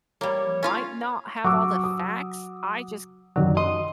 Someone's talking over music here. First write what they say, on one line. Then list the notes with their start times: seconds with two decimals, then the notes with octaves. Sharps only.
might not have all the facts," I just
0.21 G3 A#3 C#5
0.63 C#4 F4 F5
1.44 F#3 C#6 D6 E6
1.84 D#6
3.36 F#2 D#3 F#3 D5
3.57 D#5 C6